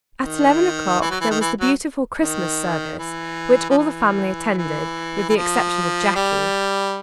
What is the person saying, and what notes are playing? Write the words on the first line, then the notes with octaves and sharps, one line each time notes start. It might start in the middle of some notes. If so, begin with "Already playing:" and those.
At eleven o'clock there was the beautiful Christmas service, which all the family attended, with the exception of Jackie.
D#3
E3
F#3
E3
D#3
E3
F#3
D#3
E3
F3
E3
E3
E3
F3
G3